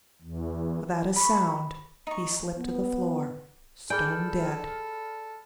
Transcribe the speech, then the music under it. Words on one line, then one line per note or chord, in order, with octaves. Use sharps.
Without a sound he slipped to the floor, stone dead.
E2
B5 C#6
D#4 C#6
B3
G#4 A4 D5 G5 G#5 B5 F6